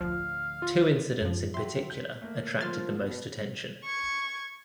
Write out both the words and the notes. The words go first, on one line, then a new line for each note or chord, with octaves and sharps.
Two incidents in particular attracted the most attention.
D2 A2 F3 F5
F4
F#2 F3
F#3 G4 E5 C6
G6 B6
A3 A#3
F3 C6 F6 A6
B2
C#6 G#6